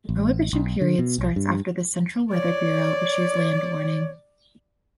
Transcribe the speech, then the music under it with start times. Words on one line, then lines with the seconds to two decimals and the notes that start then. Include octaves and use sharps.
The prohibition period starts after the Central Weather Bureau issues land warning.
0.09 A1
0.53 B1
0.81 D3
0.99 B2
1.18 B1
1.36 G2
2.32 C#5 D5